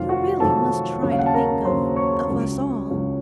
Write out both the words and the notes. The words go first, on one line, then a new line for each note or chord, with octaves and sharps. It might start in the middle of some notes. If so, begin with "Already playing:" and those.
You really must try to think of--of us all.'
Already playing: F1 F2 D#3 F#3 F4 F5
F#4 F#5
F1 F2 D#3 F#3 A4 A5
D#2 C#3 F#3
F5
F#5
A5
A#4 A#5
D#2 C#3 F#3 C5 C6
C#5 C#6
C#2 C#3 F#3
C#2 C#3 F#3